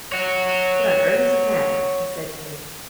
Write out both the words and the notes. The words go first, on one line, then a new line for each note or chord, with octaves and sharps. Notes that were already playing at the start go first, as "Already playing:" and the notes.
'What on earth is the matter?' he said to me.
C#5 F#5